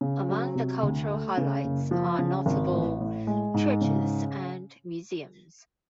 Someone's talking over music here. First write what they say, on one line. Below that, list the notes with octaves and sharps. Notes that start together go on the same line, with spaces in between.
Among the cultural highlights are notable churches and museums.
C#3
F#3
C3
D2
A3
C#3
F#1
F3
C#3
G#1
A1
A2
G#3
G#2
C#3